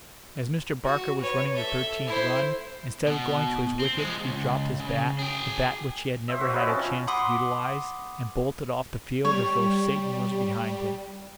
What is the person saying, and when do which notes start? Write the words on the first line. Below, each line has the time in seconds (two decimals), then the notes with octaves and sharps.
As Mr. Barker was running the thirteenth run, instead of going to his wicket he dropped his bat--the bat which he had never had a chance to utilise--and bolted off the field as though Satan was behind him.
0.85 F#4
1.21 B4 C#5
1.53 A4 E5
2.07 E4 C5
3.07 B2
3.79 C4
3.98 F3 G#3
4.25 C#2
4.80 C#3
5.19 G#4 G5
6.28 C5 E5 E6
6.41 F#4
6.53 A#4 B4 C#5 D#5
6.66 F3 C4 C#4 A5
7.07 F#5 B5 C6 D6 D#6
9.25 G3 C#5